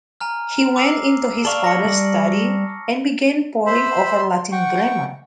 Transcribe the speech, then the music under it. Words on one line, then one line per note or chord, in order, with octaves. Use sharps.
He went into his father's study and began poring over Latin grammar.
G#5 A#5 F6
D6 E6 C7
A4 D5 F5 A5 C#6 F6
A#6 C#7
G3 D5
C5 E5 B5 C6
F#5 G5 C#6